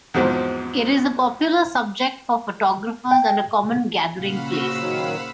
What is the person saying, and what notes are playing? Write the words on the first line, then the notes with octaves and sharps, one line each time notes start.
It is a popular subject for photographers and a common gathering place.
E2 G#2 F3 F#3 C4
G5
A#2 C#3 F5 F#5 B5
F#4 C5 E6
D#3 F#3